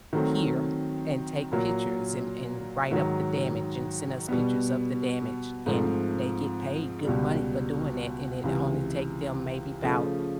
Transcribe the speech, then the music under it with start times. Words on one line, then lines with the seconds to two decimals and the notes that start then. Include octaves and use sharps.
here and take pictures, and and write up the damage, and send us pictures of the damage." And they get paid good money for doing that, and it only take them maybe 'bout,
0.13 D#3 F#3 A3 C4
1.52 A#2 F#3 A#3
2.91 G#2 D#3 F#3
4.28 B2 G3 B3
5.66 G#2 F3 A3 C4
7.05 C#2 B2 G3
8.44 C#2 C3 E3
9.83 C#3 F3 A3